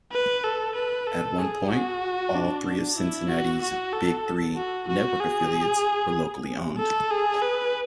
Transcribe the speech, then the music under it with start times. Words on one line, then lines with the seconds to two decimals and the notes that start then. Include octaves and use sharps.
At one point, all three of Cincinnati's "Big Three" network affiliates were locally owned.
0.12 B4
0.44 A4
0.75 B4
1.07 A4
1.38 G#4
1.71 F#4
2.34 D4
2.66 D4
2.98 E4
3.29 F#4
3.62 F#4
3.93 A4
4.56 F#4
4.88 F#4
5.20 G#4
6.78 A4
7.11 G#4
7.42 B4